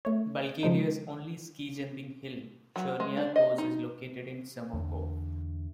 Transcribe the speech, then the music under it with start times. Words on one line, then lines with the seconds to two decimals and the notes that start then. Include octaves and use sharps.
Bulgaria's only ski jumping hill Chernia kos is located in Samokov.
0.05 A3 C#5
0.63 C#3 F3 G#3 D#4
2.76 F#3
3.00 G#3
3.17 D4
3.36 D#5
3.58 D#4
4.73 E2 D3